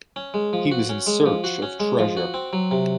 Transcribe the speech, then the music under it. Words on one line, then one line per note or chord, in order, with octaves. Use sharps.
He was in search of treasure.
C#4
G#3
F3
F#4
C#4
G#3
F3
F#4
C#4
G#3
F3
F#4
C4
F#3
C3